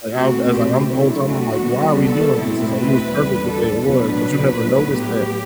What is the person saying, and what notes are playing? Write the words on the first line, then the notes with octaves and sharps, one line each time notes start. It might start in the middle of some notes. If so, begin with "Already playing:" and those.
like I I was like, I'm the whole time I'm like, "Why are we doing this?" It's, like, it was perfect the way it was, but you never notice that
B2 A3 C4 F#4
G4
D3 F#3 A3 E4
F#4
D3 G3 B3
A4
B2 A3 C4 E4
B4
E2 D3 G3
A4
B2 F#3 B3 D4 B4
A2 F#3 B3
G4